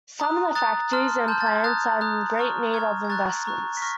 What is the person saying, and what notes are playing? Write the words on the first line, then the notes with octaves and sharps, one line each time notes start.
Some of the factories and plants are in great need of investments.
A#5 D#6 F#6
A#5 D#6 F#6 A6
A5 C6 F6
A5 C6 F6 G6
A6
G#6
A#5 D#6 F#6 A6
A#5 D#6 F#6
A#5 C#6 F6
A#5 C#6 F6 G#6
G#6
A#5 C#6 F#6 A6
A#5 C#6 F#6
B6
C#6 F6 A#6